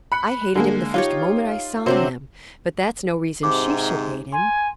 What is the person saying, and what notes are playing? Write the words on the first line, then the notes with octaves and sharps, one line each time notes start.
I hated him the first moment I saw him; but that's no reason she should hate him.
B5 F#6 C#7
D3 G#3 A#3
D#4 F4 G4 C#5
C3 F#3 C4 D4 C5
G#2 C3 D6
G#5 C6